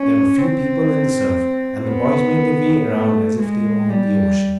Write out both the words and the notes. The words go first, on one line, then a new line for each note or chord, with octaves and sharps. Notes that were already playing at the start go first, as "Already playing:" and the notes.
There were few people in the surf and the boys made their way around as if they owned the ocean.
Already playing: C#4
C4
B3
A3
G#3
G3